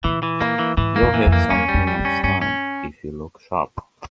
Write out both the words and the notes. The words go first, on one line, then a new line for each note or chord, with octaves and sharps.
You’ll hit something next time, if you look sharp.
A#2 E3
E3
A#3
E3
G#2 E3
A#3
F2
E3
F2
A#3
E2 C#4
G3
F2
G3
F2
C#4
G2 C#4
C#4